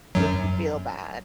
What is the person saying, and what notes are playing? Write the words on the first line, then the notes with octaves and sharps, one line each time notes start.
make you feel bad
F#2 F#3